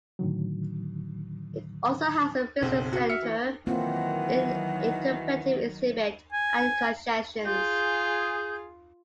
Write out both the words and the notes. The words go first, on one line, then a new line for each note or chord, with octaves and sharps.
It also has a visitor center, an interpretive exhibit and concessions.
A2 D3 D#3 F#3
F#1 B1 C4
F#4 F#5
E5 F6 C#7
E3
D#3 E3 F#3 A#3 C4 F4 F#5
G#5
F4 G#4 G6